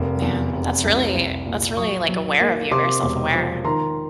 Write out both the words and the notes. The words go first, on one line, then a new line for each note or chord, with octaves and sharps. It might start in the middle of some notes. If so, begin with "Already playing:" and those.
Man, that's really that's really, like, aware of you, very self-aware.
Already playing: F1 A#3
E2
F1
C2
C2
A#2
F#3 C#6 D#6
F#3
A#3
C3 C6 D6
E1
F3
D#3 A#5 C6